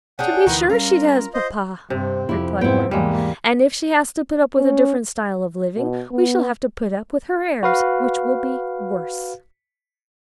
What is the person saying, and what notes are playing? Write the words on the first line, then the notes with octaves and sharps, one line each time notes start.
'To be sure she does, papa,' replied Margaret; 'and if she has to put up with a different style of living, we shall have to put up with her airs, which will be worse.
C#4 D4 G#4 F#5 G5
D2 D#3 E3 B4
G3 C#4 F4 A#4
C5 D#5
G2 C3 C4
F2 E4 G4
G#2 B3 C4 E4 G5
E2 G#2 G3 G#3 A#3
C#4
B2
B3
F#4 B4 F5